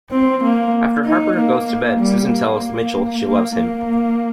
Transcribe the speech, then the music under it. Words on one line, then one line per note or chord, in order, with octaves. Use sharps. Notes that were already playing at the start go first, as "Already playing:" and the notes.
After Harper goes to bed, Susan tells Mitchell she loves him.
C4
A#3
D#4
A#3
G3
A#3
A#3
A#3